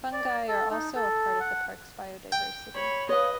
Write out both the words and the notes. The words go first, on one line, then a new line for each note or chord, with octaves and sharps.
Fungi are also a part of the Park's biodiversity.
D5
A4
D#4
A4
F#5
G5
C#5 B5
B4 C#5 D#5 F5